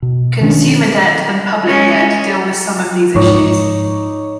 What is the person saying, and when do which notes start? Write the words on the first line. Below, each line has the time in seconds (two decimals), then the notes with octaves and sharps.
Consumer debt and public debt deal with some of these issues.
0.02 B2
0.41 D#3 F3 C#4 D4
1.67 G#3 C#4
3.15 G#2 F3 D#4 C#5 D6